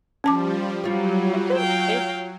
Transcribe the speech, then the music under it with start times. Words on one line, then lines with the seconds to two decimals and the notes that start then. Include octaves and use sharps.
I think it
0.24 F3 G3 C#4 A5 D6
0.84 F#3 G3 F4 C#5
1.57 F5 G5